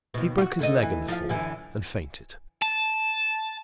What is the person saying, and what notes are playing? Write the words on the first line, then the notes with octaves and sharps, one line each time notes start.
He broke his leg in the fall, and fainted.
D#2 B2
F4 F#4
D2 D3 D#5
E3
F3 F5
F#2 D3 E3
A5